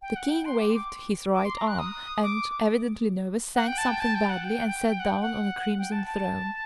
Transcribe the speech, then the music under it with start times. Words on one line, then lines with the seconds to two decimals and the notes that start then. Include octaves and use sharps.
The king waved his right arm and, evidently nervous, sang something badly and sat down on a crimson throne.
0.02 G5
0.16 F#5
0.30 G5
0.45 C6
0.60 D6
0.75 D6
1.34 D6
1.45 C6
1.57 A#5
1.67 F#6
1.79 D#6
2.23 D6
3.55 F#5
3.68 G5
3.78 A5
3.89 G5
4.00 A5
4.15 G5
4.29 F#5
4.45 G5
4.67 G5
4.88 G5
5.00 F#5
5.21 F#5
5.78 G5
5.92 A5
6.07 A5